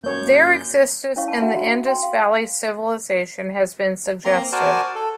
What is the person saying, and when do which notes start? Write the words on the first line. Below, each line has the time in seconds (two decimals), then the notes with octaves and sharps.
Their existence in the Indus Valley Civilization has been suggested.
0.04 F#2 A#3 C#5 G6
1.16 C#4 E4 C#5 F5 C#6
1.28 A5 B5
1.42 D4 F#4 E5 F#5 A#5 B5
1.56 F#4
1.86 G5 C6
2.03 F5
4.25 A#3 C4 A#5 C6
4.52 F#4 A#4 C5 D5 G#5 A5
4.95 A4